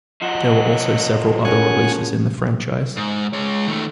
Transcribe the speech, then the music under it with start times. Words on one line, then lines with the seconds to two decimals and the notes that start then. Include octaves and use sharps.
There were also several other releases in the franchise.
0.22 F3 F#4 D#5 F#5
1.45 C#4 G#4 A#4 C#5 F#5 G#5
2.97 G#2
3.33 G#3 C#5
3.67 D#3 A3